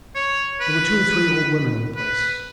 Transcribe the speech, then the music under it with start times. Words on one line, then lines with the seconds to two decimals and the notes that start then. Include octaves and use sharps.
There were two or three old women in the place.
0.15 C#5
0.61 B4
1.96 B4